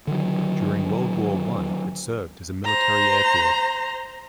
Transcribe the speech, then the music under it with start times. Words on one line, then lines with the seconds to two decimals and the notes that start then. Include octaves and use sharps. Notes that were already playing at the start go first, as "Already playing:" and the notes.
During World War One, it served as a military airfield.
0.07 D3 D#3 F#3
2.65 C5 A#5